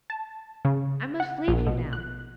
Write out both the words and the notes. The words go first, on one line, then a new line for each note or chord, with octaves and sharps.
I must leave you now.
A5
C#3
F#5
A#1
B2
F#6